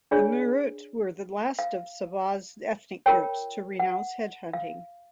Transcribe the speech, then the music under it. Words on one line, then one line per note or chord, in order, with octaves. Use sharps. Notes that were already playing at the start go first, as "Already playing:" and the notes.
The Murut were the last of Sabah's ethnic groups to renounce headhunting.
D4 F4 G#4 C#5 D5
F5
F4 A#4 C#5 G5
F#5
F5